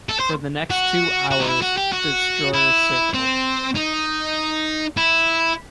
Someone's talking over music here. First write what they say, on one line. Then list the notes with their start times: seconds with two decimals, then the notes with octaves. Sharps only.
For the next two hours, the destroyer circled.
0.09 A4
0.20 C5
0.71 F#4
1.31 F#4
1.41 D#4
1.47 E4
1.62 F#4
1.77 G4
1.93 F#4
2.54 E4
3.14 C4
3.75 D#4
4.97 E4